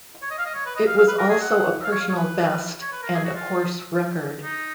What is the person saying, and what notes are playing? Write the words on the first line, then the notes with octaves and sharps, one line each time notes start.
It was also a personal best and a course record.
C#5
D#5
F5
D#5
C#5
B4
D#5
F5
F5
B4
A#4
G#4
F#5
F5
C#5
F5
C#5
B4
C#5
B4
A#4
G#4
F#4
F4
D#4